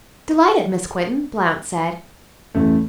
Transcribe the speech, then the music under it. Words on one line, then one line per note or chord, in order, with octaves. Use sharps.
"Delighted, Miss Quinton," Blount said.
A1 E2 A3